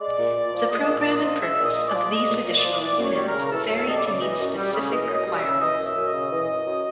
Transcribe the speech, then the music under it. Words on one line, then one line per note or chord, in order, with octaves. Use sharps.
The programme and purpose of these additional units vary to meet specific requirements.
G#3 D5
A#2
A#2
F3
G#3 D#5
A#2
D5
A#2
D#5
F3
G#3 E5
A#2
D#5
A#2
D5
F3
G#3 D#5
A#2
D#5
A#2
D5
F3
E3 D5
F#2
C#5
G3
A#4
C#3
A#4
E3 A4
F#2
A4
G3 D#5
D5
C#3
E3 D#5
F#2
G3
C#3
E3 D#5
F#2
D#5
G3
E5
C#3
E3 D#5
F#2
E5
F#2
D#5
C#3
E3
F#2
F#2